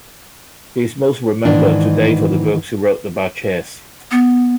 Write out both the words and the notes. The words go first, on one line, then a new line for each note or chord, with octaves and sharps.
He is most remembered today for the books he wrote about chess.
G#2 D#3 E3 D4
B3